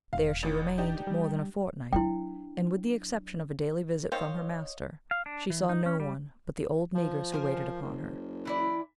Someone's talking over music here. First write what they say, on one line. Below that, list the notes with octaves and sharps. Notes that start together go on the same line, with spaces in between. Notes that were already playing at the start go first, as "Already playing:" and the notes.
There she remained more than a fortnight, and with the exception of a daily visit from her master, she saw no one but the old Negress who waited upon her.
E1 F5
A1 E3
D4 D#4 G4
G3
F#3 D4 E4 G5
D#3 C4 C5 C#5 D#5 F5
F5
D4
E3
D#4
C#4
G3
F3
A#4 C5 G#5
F#1
E3 E4 D5